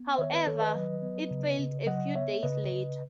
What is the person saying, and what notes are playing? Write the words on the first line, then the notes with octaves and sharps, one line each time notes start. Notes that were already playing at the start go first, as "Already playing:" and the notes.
However, it failed a few days later.
Already playing: B3
D#3 C#5 E5
B4 D#5
D#3 A4 C#5
B4 D#5
F#3
B3
C#3
C#3
F#3 D#5 F#5
B3 C#5 E5
C#3 B4 D#5
C#3